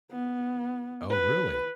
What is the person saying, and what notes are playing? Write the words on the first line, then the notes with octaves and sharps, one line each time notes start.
Oh, really?
B3
B4